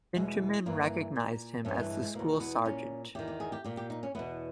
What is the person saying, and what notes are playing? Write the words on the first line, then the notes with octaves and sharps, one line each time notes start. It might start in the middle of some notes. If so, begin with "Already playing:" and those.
Benjamin recognized him as the school sergeant.
E2 B2 G#3
G2 E3 A#3
A#2
G2 E3 C#4
G3
G#3
G#3
E2 B2 A#3
B3
A#2 C#4
E2 D#3 G4
G4
G#4
G4
A#2 G4
G4
D#4
C#4
E2 B2 B3